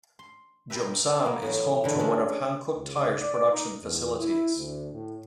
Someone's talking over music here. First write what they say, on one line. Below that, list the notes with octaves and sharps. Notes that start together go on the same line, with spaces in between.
Geumsam is home to one of Hankook Tire's production facilities.
C6
G4 A#4 B4 E5
A#3 B3
A2 E3 F#3
G#2 D3 E3
G#3 C#4 D4 A4
C#2
D5
D#4
E2
E4
D2
A2